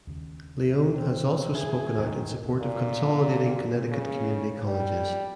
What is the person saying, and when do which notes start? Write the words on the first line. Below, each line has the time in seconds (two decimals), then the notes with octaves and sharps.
Leone has also spoken out in support of consolidating Connecticut Community colleges.
0.07 D#2 C#3
0.97 C4
1.54 E4 G#4
1.98 D#2 B2 D#3
2.61 A#2
3.90 C#3
4.65 G3